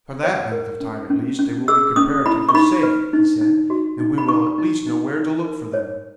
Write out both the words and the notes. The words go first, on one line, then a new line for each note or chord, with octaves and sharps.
"For that length of time at least they will be comparatively safe," he said, "and we will at least know where to look for them."
C#5
A#4
C#4
C#4
C#4
G#4 E6
C#4 D#6
E4 B5
C#6
D#4 B5
B4
D#4
D#4
F#4
D#4
B5
D#4 C#6
D#4
D#4
D#4
A#4
C#5